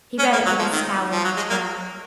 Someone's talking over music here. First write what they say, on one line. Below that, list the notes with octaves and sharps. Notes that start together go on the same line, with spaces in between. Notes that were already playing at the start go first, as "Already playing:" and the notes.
He read it with a scowl on his brow.
C#4
A#3
F#3
F3
D#3
F3
F#3
G#3
A#3